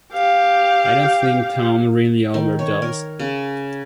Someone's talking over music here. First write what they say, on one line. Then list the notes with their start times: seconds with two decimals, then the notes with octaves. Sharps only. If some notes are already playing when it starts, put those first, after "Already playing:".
I don't think Tom really overdosed.
0.13 G4 F5
2.34 D#3
2.59 C#5
2.82 A#4
3.19 C#3